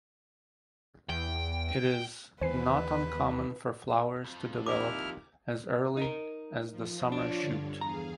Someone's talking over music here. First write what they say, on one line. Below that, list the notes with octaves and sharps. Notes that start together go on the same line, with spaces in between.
It is not uncommon for flowers to develop as early as the summer shoot.
E2 G5
D#2 E3 B3 B4 C5 G#5 C7
F2 F3
D#2 E4 D6 F6
D#4 A#4
F3
D4 F4 C#5 D5
G2 D3
E2 G#4 F5 A#5